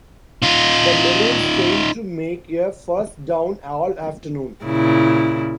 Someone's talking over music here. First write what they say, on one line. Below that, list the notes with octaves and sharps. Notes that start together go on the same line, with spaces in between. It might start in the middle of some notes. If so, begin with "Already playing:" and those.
The Maroons failed to make a first down all afternoon.
D#4 F4
A#2 C#3 E4